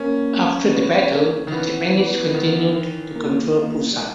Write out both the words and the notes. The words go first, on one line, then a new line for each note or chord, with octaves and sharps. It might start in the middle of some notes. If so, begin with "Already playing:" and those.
After the battle, the Japanese continued to control Busan.
Already playing: A#3 C#4
B3
A#3
D#3
E3 B3
D#3
A#3
A#3
G3
G#3